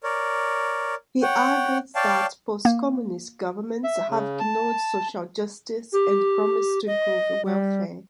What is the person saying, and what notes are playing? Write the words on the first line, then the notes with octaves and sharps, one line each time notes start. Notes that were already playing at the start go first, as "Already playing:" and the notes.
He argued that post-Communist governments have ignored social justice and promised to improve welfare.
A#4 C#5 D5
C#5 F#5 G5
C#5 D5 F5 G5 A5
A#3
E5
C#3
A5
G4
D#5
G3